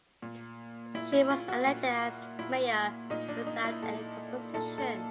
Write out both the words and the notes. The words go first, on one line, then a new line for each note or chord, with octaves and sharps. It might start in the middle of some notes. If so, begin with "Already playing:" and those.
She was elected as Mayor without any opposition.
A#2
A#2 E4
E4
F4
F#4
A#2
A#2 E4
A#2 D#4
D4
D#4
E4
A#2 A4
A#2 A4
A4